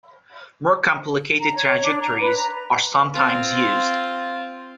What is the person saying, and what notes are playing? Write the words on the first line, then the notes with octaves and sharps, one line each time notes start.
More complicated trajectories are sometimes used.
A#5
C#5
D4
A#5
B4
A#5
C4 F4